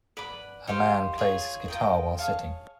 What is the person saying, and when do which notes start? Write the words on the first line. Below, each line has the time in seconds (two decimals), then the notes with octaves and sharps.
A man plays his guitar while sitting.
0.17 B4 D5 F#5 B5
0.67 D#4 G4 C5 F5
1.18 F4 G#4 C#5
1.68 F4 A#4 D#5 G5
2.19 G#4 C#5 F5 A5